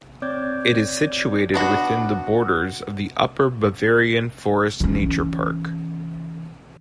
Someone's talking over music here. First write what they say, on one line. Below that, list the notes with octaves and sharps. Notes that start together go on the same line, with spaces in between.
It is situated within the borders of the "Upper Bavarian Forest Nature Park".
C4 C#5 D5 D6 G6 G#6
B3 D4 F#4
E3 C#4